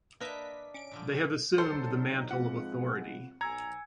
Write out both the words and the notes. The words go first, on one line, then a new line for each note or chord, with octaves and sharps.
They have assumed the mantle of authority.
A#3 D4 A#4 B4 D#5 E5 B6
C#4 D7
A#2 D3 F3
D3 F#3 D#4 A4 C5 C#7
G#2 F3 G#3 C4 F4 F#5
B1 G#5 A#5 E6 G#6 C#7